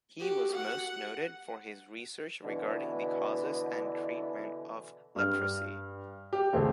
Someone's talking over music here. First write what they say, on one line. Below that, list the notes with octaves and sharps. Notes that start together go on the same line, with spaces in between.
He was most noted for his research regarding the causes and treatment of leprosy.
F#4 G4
F#5
B2 D3 E3
G2 F6
G4
G#1 C#2 A3 C4 G#4